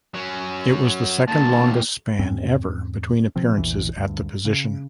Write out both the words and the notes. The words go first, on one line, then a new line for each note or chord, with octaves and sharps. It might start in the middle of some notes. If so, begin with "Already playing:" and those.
It was the second-longest span ever between appearances at the position.
F#3 C#4
D#2 A#2 A5
E2 G#2 C4 C#4
B2 F3 C4
A#1 E2 A#2 E3
D2 G2
C#3